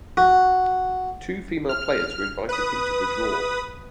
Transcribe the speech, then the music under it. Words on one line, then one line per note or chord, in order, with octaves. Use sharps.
Two female players were invited into the draw.
F#4
F6
B4 D#6